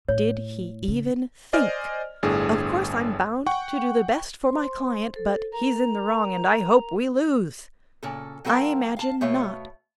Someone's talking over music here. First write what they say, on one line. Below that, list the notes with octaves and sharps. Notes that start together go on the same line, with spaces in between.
Did he even think, "Of course I'm bound to do the best for my client, but he's in the wrong, and I hope we lose?" I imagine not.
A2 C#5
C#3
C5 D5 D#5 G#5 F6
G1 A2 D4 G#4
F#5 G5 C#6
C5 C6
A4 C5
A#4 A#5
A#2 C#3 A4
F#3 C4 A4 A#4 F5
F5 A5
B2 A3 C#5 E5 F5